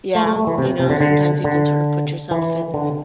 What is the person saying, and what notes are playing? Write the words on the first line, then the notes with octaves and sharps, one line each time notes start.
Yeah, you know, sometimes you can sort of put yourself in
A3
A3
A3
E3
C3
C3
D3
D3
D3
E3
D3